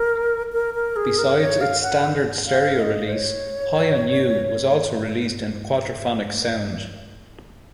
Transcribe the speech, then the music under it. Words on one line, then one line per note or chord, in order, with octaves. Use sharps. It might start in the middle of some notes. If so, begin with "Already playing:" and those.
Besides its standard stereo release, "High on You" was also released in quadraphonic sound.
Already playing: A#4
A#4
A#4
G#4
A#4
C#5
F5
F#5
F5
D#5
C5
C#5